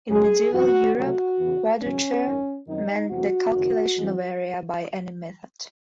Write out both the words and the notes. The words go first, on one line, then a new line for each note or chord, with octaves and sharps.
In medieval Europe, quadrature meant the calculation of area by any method.
F#2 C#3 G#3 G#4
F#2 E3 C4 F#4
C#2 C3 F#3 A3 C4 F#4
E2 C#3 E3
G#1 F#2 C#3 F#3 C#4
G#1 F#2 D#3
F#2 D#3 F#3 C4 D#4
E2 C3 F#3 A3 F#4
F#1 F#2 D#3
F#2 E3 G#3 C4